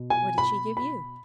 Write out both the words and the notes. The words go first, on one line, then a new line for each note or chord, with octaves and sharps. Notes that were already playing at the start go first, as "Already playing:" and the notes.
'What did she give you?'
Already playing: B2
G#5
B5
B5